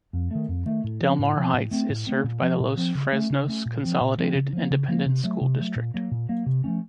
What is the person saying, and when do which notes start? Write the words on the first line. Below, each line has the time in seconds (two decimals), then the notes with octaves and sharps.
Del Mar Heights is served by the Los Fresnos Consolidated Independent School District.
0.13 F2
0.31 D#3 A3
0.49 F2
0.66 D#3 A3
0.84 A2
1.01 F3 C4
1.19 A2
1.36 F3 C4
1.54 A2
1.71 A3 C4
1.89 A2
2.07 A3 C4
2.24 A#2
2.42 F3 C4
2.60 A#2
2.77 F3 C4
2.95 C#3
3.13 A3 C#4
3.30 C#3
3.48 A3 C#4
3.66 A#2
3.83 F3 C4
4.01 A#2
4.18 F3 C4
4.35 C#3
4.53 F3 A#3
4.71 C#3
4.88 F3 A#3
5.06 C3
5.24 F#3 A3
5.41 C3
5.59 F#3 A3
5.76 A#2
5.94 F#3 A#3
6.11 A#2
6.29 F#3 A#3
6.46 C3
6.64 F3 A3 C#4